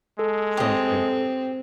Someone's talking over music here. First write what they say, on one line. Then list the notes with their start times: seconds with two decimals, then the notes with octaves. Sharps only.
Sounds good.
0.19 G#3 A4
0.57 C4 G4 D#5